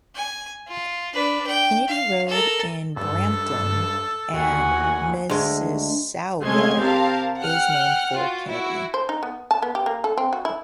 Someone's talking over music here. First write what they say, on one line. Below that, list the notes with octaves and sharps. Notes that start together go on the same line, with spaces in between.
Kennedy Road in Brampton and Mississauga is named for Kennedy.
G#5
F4
D4 B4
G5
F5
A4 A#4
G2 A4
D#2 F#4 G#5
D2 G#3
C2 G#3 A3 C#4 C6 G#6
C4 G4 A#4 F5 A5
F#5 G5 F6 F#6
F4 F#4
E4 F#4
C5
D#4
B3
A5
B3
G4
A#3
A4
C4
F#4
E4